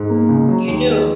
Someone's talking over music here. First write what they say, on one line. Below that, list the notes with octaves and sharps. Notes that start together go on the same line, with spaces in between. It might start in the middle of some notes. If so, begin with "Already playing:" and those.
You do.
Already playing: G#2
A#3
C#2
F#3
D#2
G#3